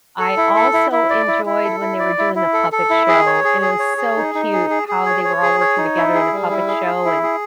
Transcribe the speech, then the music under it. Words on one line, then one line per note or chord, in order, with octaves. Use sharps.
I also enjoyed when they were doing the puppet show, and it was so cute how they were all working together in the puppet show, and
A4
E4
A4
E4
E4
D5
E4
E4
A4
E4
D5
E4
E4
A4
A4
E4
G#4
C#5
G#4
G#4
C#5
G#4
D#4
D#4
G#4
G#4
G#4
C#5
C#5
G#4
C#5
D#4
E4
G#4
G3
E4
G#4
G#4
E4
G#4